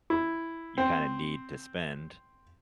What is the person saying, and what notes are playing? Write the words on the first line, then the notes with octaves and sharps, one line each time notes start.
you kinda need to spend.
E4
C4